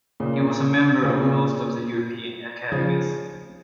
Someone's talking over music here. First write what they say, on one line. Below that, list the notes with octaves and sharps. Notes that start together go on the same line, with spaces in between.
He was a member of most of the European academies.
A#2 C#3
A#2 C#3
C#3 F3